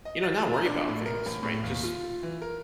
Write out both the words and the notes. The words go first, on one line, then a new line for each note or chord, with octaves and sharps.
you know, not worry about things, right? Just
D#5
A6
A#5
D4
A2
A#4
A1
A2
D#2
F4
E3
A#4